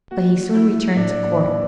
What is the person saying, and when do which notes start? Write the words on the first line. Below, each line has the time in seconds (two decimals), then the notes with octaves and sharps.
But he soon returned to court.
0.11 A#3 F#4
0.39 F#3
0.54 E4
0.68 A#3
0.96 A2 D4
1.25 A#3